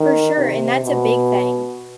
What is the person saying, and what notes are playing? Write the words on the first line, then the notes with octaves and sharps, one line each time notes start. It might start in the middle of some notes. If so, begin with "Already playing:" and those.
For sure, and that's a big thing.
Already playing: D#3
C3
B2